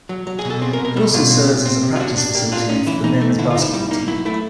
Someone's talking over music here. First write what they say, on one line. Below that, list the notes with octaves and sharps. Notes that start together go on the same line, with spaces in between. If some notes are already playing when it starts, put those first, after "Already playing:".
It also serves as a practice facility for the men's basketball team.
F#3
F#3
G#4
B2
A4
C4 G#4
A#4
B2
A#4
G3 A4
B2 F4
C4
C3
C4
C3
F4
D4 F#4
D4
A#3 G4
D4 F4
C#4 D#4
E3 E4
E3 D#4
A3
D3 E4
F4
D#4
E4
G3 E4
A#3 D#4
F#3 E4
A3 E4